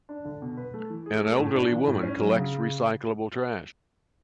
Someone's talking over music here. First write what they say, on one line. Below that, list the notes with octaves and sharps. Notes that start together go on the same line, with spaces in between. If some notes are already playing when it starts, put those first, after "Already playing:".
An elderly woman collects recyclable trash.
D4
D3
B2
B4
A3
E3
G#4
A3
A2
D4
E3
A2
C#4
F#3
C#3